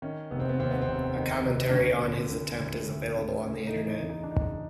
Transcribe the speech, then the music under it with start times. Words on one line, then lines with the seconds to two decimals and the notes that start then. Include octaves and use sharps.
A commentary on his attempt is available on the Internet.
0.02 D#3 C#4
0.31 F1 B3
0.40 C4
0.49 B3
0.59 D#2 C4
0.71 B3
0.82 C4
0.88 F1
1.16 D#3
1.45 F1
1.69 D4
1.73 D2 C#4
2.02 D3
2.31 D3
2.60 D2
2.88 D2
3.17 D3
3.45 C#3 C#4
3.67 D#4
3.74 E3
3.88 D#4
4.03 E2
4.10 D#4
4.24 D4
4.31 F#1 D#4